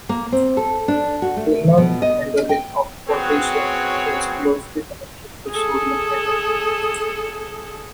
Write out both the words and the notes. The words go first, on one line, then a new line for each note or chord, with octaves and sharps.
Renal handling of potassium is closely connected to sodium handling.
A#3
C4
A4
D4
F#4
A3
B2
D#5
G5
C4 C#4 F#4 G#4 B4 C#5
G#4 A4